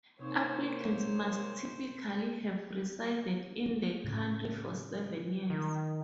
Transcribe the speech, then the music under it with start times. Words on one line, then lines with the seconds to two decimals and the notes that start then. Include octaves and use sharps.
Applicants must typically have resided in the country for seven years.
0.19 C3 A#3 C4 D#4 C5 C#5
4.04 A2 C#3
5.50 D#3